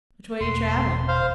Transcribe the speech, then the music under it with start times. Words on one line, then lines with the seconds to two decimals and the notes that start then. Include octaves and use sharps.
"Which way you traveling?"
0.41 F#1 E2 B2 C6
1.08 C5 F5